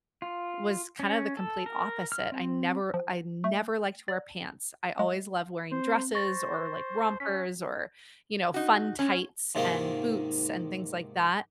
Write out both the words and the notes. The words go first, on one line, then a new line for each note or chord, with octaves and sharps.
was kind of the complete opposite. I never I never liked to wear pants. I always loved wearing dresses or, like, rompers or, you know, fun tights and boots and things like that.
F4
C#4
A4
A#4
F6
C4
F3
A3
D5
G#3
C4 C5
C5 C#6 A6 A#6
C#4 B6
D#4 F#4
C#4
G#2 C3 D#3 G#3 A#3 F4